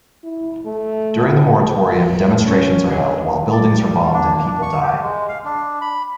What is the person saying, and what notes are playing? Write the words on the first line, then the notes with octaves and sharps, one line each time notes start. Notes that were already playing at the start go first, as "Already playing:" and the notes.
During the Moratorium, demonstrations are held while buildings are bombed and people die.
E4
A3
A2
C#4
F#2 E3 F#3 G#3 D4 G#4
D5
G3
D4
A#3
D4
C#6
G4
G#3
F5
D4
B5